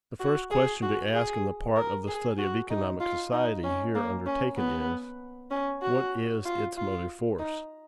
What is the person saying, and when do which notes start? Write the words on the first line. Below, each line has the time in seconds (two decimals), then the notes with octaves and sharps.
The first question to ask in the part of the study of economic society here undertaken is: What is its motive force?
0.20 F#4
0.51 G#4
0.82 F#4
1.13 G#4
1.76 A#4
2.07 G#4
2.38 F#4
2.70 D#4
3.00 F4
3.33 D#4
3.64 C#4
3.95 A#3
4.26 C#4
4.57 B3
5.51 C#4
5.82 F#4
6.46 F4
6.77 F4
7.39 D#4